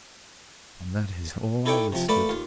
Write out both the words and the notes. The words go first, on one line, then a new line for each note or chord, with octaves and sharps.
And that is all I elicited.
D#4 E4 A4 C#5 D5 G5
C3 F3
A3 A#3 B4 D5 A5 B5
D#2 F4